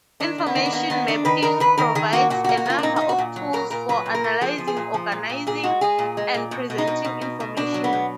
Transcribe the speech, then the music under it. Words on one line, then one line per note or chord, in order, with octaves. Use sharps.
Information mapping provides a number of tools for analyzing, organizing and presenting information.
D#3 D4
D#3
B3
D#3
D4
A#3 B3
D#3 B3
D#3 D4
D#3 B4
D#3 A#4
D#3 B4
D#3 A#4
D#3 G#4
A#3 F#4
A#2 F#4
F#4
A#3
F#4
A#3 F4
D4
A#2 D#4
A#2 D#4
F#4
A#2
F#3
A#2 A#4
A#2 A#4
F#3 B4
A#2
A#4
A#3
F3 G#4
F3
G#4
A#2
F3
A#2
A#2
A#2 G#4
G#3 F#4
G#3 G#4
A#2
G#3
A#2
B2
B2
D#4
B2
B2
B2
B2
B2 D4
F#3
B3
B2